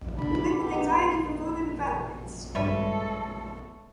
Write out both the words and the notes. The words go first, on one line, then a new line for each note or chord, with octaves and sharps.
We look with anxiety for further developments.
D4 B5
B3 G4
G#1 G2 G3 G#3 A4 B4 C#5 E5